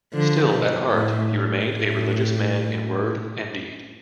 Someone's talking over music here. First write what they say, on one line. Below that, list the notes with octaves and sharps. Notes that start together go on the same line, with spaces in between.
Still, at heart, he remained a religious man in word and deed.
D3 F3
B2
A2
A2